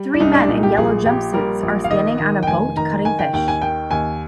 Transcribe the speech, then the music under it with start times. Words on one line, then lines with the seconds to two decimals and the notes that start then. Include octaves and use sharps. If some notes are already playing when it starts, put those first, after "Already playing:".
Three men in yellow jumpsuits are standing on a boat cutting fish.
Already playing: G3
0.14 D4
0.20 C2 D#4
0.34 D4
0.48 A#2 D#4
0.63 G4
0.77 A#1 G#4
1.06 A#1 G4
1.33 G3 A#4
1.63 A#1
1.84 F5
1.90 D#3 D#5
2.20 D#3
2.43 G5
2.47 F1 G#5
2.76 D#3 A#5
3.04 D#3 G#5
3.19 G5
3.33 D#2 G5
3.48 G#5
3.62 D#3 G5
3.91 D#2 G#5